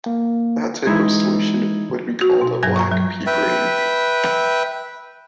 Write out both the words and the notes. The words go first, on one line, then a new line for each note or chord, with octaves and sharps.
That type of solution would be called a black "p"-brane.
A#3
E3 G#3 D#4 E4 G#6
F#4
B2
G2 F#3 G#6
A#5 C#6
F#3
B4 E5 G5